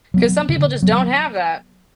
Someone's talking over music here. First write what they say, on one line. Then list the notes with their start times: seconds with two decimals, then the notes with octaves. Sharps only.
'cause some people, just, don't have that.
0.14 F#3 B3
0.49 D3
0.83 F#3 B3